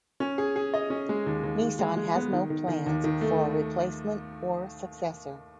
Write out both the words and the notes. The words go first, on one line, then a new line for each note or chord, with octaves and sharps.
Nissan has no plans for a replacement or successor.
C#4
G#4
G#4
D#5
C#4
G#3
D#2
D#2
D#2
G#3
G#3
B3
D#3
D#3
D#3
D#2
D#3
A3